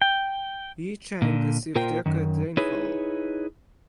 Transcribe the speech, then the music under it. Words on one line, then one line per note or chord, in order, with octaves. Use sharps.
Yicheng received record rainfall.
G5
A#2 D3
A#2 F4 A#4 C5 G5
F#2 D#3
D#4 E4 G#4 B4 C#5